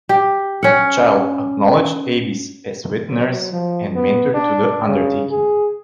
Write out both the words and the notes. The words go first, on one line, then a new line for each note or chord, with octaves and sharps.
Child acknowledged Avis as "wet nurse" and "mentor" to the undertaking.
G4
C#4 F#5
F#3
F3
B3
D4
C#3
G#4